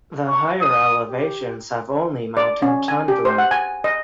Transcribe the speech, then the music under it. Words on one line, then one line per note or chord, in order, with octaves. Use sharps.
The higher elevations have only mountain tundra.
C#6
D#6
G4
D5
C#4
G#5
G4
C5
F#5
G#5
D#5